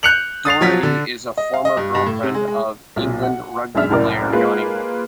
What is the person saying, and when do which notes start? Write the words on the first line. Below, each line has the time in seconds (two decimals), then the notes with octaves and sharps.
Dougherty is a former girlfriend of England rugby player Jonny Wilkinson.
0.03 F#6 G6 C#7 F7 F#7
0.45 D#6 A6 C7 F7
0.61 F3 F#3 B6
0.83 D3
1.37 D#5
1.54 F5
1.65 D#5
1.77 G2
1.95 G2
2.07 A2
2.23 C3
2.34 G#3
2.47 G#3
2.96 B1 A#2
3.23 F#5
3.75 B1 F#2 G#3 D4 E5 F6
3.89 C2 F#2 A2 A#4 D5
4.32 G#3 A#3 F4 B4